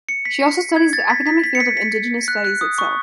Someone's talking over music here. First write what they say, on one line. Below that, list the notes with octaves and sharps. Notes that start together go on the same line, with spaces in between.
She also studies the academic field of indigenous studies itself.
C#7
B6
G#6
A6
B6
B6
B6
C#7
B6
B6
F#6
F#6
D#6
C#6